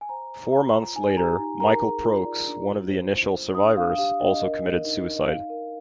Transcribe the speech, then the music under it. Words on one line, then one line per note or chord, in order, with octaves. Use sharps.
Four months later, Michael Prokes, one of the initial survivors, also committed suicide.
G#5
C5 A#5
C5
F4 A#5
F4
D#4 G#5
G4 A#5
D#4
A#4 A#5
G#4
F4
D5
D4
F4
C5
C5
C5
D4 D#6
D4 F5
G4 F5
D4 D#5
A#4 D#5
A#4
D#4
D#4
D#5
D#4 F5
A#4